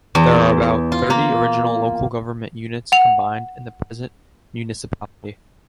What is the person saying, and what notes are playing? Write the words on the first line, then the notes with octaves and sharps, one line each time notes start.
There are about thirty original local government units combined in the present municipality.
E2
F4
A#3
F#5 F7